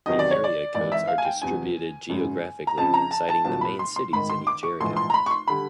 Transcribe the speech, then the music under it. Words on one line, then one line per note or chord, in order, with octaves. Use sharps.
The area codes are distributed geographically, citing the main cities in each area.
E2 C3 D#3 F#3 D#5
D5
C#5
D5
G#1 G#2 E3 D5
E5
F5
G#5
G5
E2 C3 F3 G#5
G#1 F#2 C#3
A#5
F2 C#3 F3 A5
A#5
A5
A5
C2 A#2 F#3 A5
B5
C6
C6
G#1 G#2 D#3 B5
C6
D6
C#6
A#1 G#2 E3 C6
C6
A#5
B5
C#6
C6
D3 G3 B5